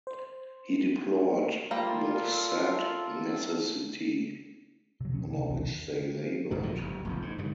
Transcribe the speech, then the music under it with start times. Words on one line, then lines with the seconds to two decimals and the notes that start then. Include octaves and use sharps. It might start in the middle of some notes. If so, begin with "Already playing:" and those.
He deplored the sad necessity under which they labored.
0.07 C5
1.71 G3 A#3 F4 A4 A#4
5.01 C3 F#3
5.12 D2 A#2 C#3 C#4
5.30 C3
5.50 B1 E2 C3 D#3
6.51 G1 G#2 F#3
6.63 A#1 B2 F3
6.77 F#1 D#2
7.05 F1 A#1 F2
7.22 G#2
7.38 G#2 D3 G3